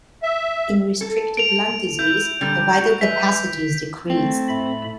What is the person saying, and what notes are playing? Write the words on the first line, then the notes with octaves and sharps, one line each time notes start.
In restrictive lung disease the vital capacity is decreased.
E5
A4
D7 F7
E4 G6
A#2 D3 G3
F#4
B4 E5 B6
A3 C4
A2 E5 B5